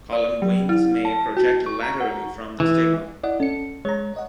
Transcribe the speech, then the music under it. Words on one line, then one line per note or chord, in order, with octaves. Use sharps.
Column wings may project laterally from the stigma.
D5
F#3
E4
A5
F#4
C#6
A#5
F#5
E3
E4 D5 D#5 F#5
C#4 A4 C#7
G#3 C#5 A#5
C#5 D#5 F#5